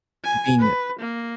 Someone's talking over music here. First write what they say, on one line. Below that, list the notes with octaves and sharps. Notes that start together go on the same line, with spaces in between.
you're being
G#5
B4
A#3